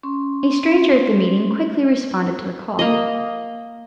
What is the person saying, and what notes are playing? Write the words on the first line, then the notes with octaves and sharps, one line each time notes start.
A stranger at the meeting quickly responded to the call.
C#4 C6
A#3 D#5